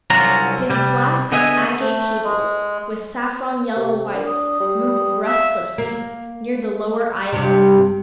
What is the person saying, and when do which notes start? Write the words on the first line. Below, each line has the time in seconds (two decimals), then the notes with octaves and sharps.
His black, agate pupils with saffron- yellow whites moved restlessly near the lower eyelids.
0.10 C2 D3 F#3 C#4 F4 A#5
0.70 C3 G3
1.32 D3 B3 G#4 D#5 E5 G#5
1.80 A3
2.24 G#3
3.76 C3
4.14 D4 A#4
4.26 D#6
4.60 G3
5.27 E5 F5
5.78 A#3
7.32 G2 C3